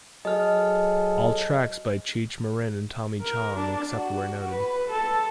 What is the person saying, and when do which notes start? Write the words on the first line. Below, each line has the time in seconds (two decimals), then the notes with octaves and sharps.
All tracks by Cheech Marin and Tommy Chong, except where noted.
0.25 F#3 G#4 A4 D#5 F6
3.22 A#4
3.56 D4
3.92 F#4
4.51 B4
4.90 A4